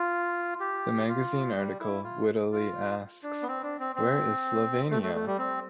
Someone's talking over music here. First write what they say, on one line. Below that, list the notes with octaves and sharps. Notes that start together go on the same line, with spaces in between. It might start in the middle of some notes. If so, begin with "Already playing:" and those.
The magazine article wittily asks Where is Slovenia?
Already playing: F4
G4
F4
G3
E4
F4
F4
D4
B3
C4
D4
C4
C4
A3
A3
A3
G3
C4